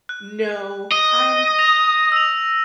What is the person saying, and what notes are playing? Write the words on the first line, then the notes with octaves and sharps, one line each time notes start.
No, I'm
F#6
D#5 D#7
A#6 F7
E6 F7